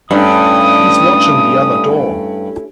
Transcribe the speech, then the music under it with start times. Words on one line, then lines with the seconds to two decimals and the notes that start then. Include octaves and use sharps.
He's watching the other door.
0.11 G2 A3 C#4 E4 D#6